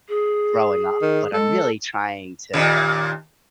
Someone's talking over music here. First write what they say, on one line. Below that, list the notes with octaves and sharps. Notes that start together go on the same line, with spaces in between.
growing up, but I'm really trying to
G#4
D#3
G#3 A4
D#2 A#2 C#3